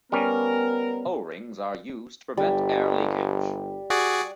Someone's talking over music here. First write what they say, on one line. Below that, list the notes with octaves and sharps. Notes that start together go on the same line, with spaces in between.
O-rings are used to prevent air leakage.
G3 B3 C#4 A#4
G1 G3
F#4 G#4 D5